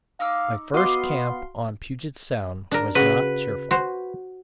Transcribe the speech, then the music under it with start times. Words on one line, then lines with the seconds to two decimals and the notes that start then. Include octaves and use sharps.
My first camp on Puget Sound was not cheerful.
0.20 D#4 F5 D6 E6
0.74 B3 F#4 D#5 F5 C6 D6
2.71 D4 A#4
2.95 C#3 F#4 B4
3.71 F#4 C5